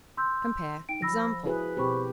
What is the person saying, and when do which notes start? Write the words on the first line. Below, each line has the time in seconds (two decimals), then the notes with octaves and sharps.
Compare EXAMPLE.
0.17 C6 E6 G6
0.89 D#4 G5 D7
1.02 F3 B5 E6 A#6
1.45 E4 F#4 G#4 B4 G#5
1.77 B2 C4 G4 C5 B5 C#6